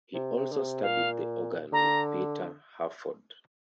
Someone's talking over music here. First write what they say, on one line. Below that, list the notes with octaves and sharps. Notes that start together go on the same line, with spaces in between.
He also studied the organ with Peter Hurford.
C3
C3
D3
C3
A#2 F5
D3 A#5